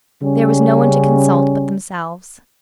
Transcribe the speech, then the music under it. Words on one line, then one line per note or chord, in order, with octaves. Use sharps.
There was no one to consult but themselves.
C#3 G3 C#4